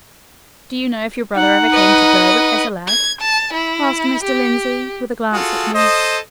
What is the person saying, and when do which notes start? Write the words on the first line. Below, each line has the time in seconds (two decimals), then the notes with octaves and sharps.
"Do you know if your brother ever came to Berwick as a lad?" asked Mr. Lindsey, with a glance at me.
1.35 D#4 F#5
1.71 B4 D#5
2.88 G#6
3.21 A5
3.53 E4
4.24 G4
5.33 F4 F#4 G#4 A4
5.74 A4 C5 D#5